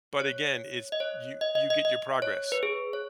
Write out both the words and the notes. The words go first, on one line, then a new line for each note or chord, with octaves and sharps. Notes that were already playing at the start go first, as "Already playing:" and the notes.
but again, it's you you get your progress,
C#5
D#5
C#5
D#5
D#5
D#5
D#5
C#5
B4
G#4
C#5